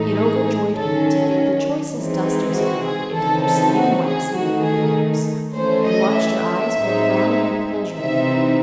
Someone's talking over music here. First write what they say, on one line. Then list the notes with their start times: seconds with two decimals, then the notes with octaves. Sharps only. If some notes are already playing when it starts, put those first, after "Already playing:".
It overjoyed him to give the choicest dusters he found into her slim, waxen little fingers, and watch her eyes grow round with pleasure in them.
Already playing: A2 E3 A3 D#4
0.15 G#4
0.75 D#3 F#3 C#4 A4
1.95 E3 G#3 C4 D#4
2.55 F#4
2.85 G#4
3.15 C#3 E3 C4 D#4 A4
3.45 A4
3.76 F#4
4.06 G#4
4.35 D#3 A3 D#4 F#4
4.65 G#4
5.56 E3 A3 C#4 C5
5.86 D#5
6.16 E5
6.76 A2 G#3 C4 D#4
7.96 C3 E3 C4 D#4 E5